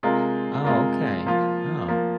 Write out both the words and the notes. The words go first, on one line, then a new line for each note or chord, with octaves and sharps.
Oh, okay. Oh,
C3 G#3 F4 A#4
C3 G#3 F4 A#4
F3 A#3 F4
F3 A#3 F4